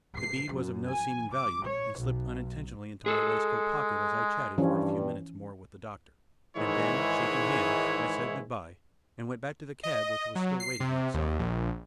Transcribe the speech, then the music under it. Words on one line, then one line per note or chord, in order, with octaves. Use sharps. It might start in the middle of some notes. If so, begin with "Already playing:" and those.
The bead was of no seeming value and slipped unintentionally into my waistcoat pocket as I chatted for a few minutes more with the doctor, and then, shaking hands, I said goodbye, and went back to the cab which was still waiting outside.
C7
F#2
G#5
D6
C#5
B1
G#3 G#4 A4
G2 E3 F3 C#4
G#2 D#3 E3 G#3 E4 C#5
D#5
F#3
C7
C3
D#2
A#1